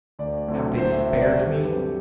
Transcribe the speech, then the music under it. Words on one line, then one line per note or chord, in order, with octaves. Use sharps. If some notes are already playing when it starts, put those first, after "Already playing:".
Have they spared me?
D2 D5
D3 F#3 A3 C4
D2 C5
E5
C3 G3 B3 E5
D5
G2
G4
A4
F#3 C4 B4
G4